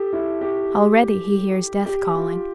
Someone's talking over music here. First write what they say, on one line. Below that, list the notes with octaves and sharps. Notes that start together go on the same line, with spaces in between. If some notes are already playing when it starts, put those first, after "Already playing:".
Already he hears death calling.
Already playing: G4 A4
E4
G4
G4
F4